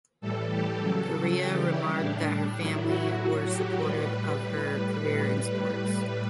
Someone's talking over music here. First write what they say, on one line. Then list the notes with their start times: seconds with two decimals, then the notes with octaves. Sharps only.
Barea remarked that her family were supportive of her career in sports.
0.21 A2 E3 G3 A4
0.51 G4
0.80 C#3 F#3 A4
1.39 C#3 E3 G3 G4
1.69 E4
1.99 A2 G3 D4
2.58 A2 F#3 E4
2.88 F#4
3.17 A2 F#3
3.47 G4
3.76 A2 G3 B4